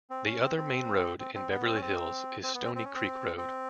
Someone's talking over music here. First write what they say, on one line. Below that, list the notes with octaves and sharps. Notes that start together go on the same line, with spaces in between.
The other main road in Beverly Hills is Stoney Creek Road.
C4
C#4
C4
C4
C4
C4
B3
C4
C#4
C4
C4
B3
C4
C4
C#4
C4
C4